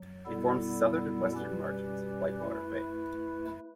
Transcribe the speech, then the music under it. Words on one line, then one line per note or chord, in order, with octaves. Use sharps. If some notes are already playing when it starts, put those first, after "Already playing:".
It forms the southern and western margins of Whitewater Bay.
Already playing: F#3
B2 G3 B3 E4 A4
B2 G3 C#4 G4 B4
A3 E4 B4